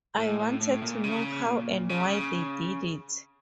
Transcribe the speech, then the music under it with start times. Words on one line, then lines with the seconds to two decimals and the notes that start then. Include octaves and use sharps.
I wanted to know how and why they did it.
0.18 A2
0.40 A2
0.61 A2
0.82 A#2
1.04 C#3
1.46 A#2
1.89 C#3